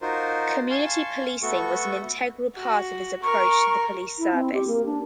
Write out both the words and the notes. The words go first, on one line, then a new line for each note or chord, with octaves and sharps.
Community policing was an integral part of his approach to the police service.
D#4 F4 F#4 A#4 C5
F5 G#5 A5 C6 C#6
A3 B3 F#4 A4 C#6
F#4
A#4 C#6
E4
C4
G4
A#3
D4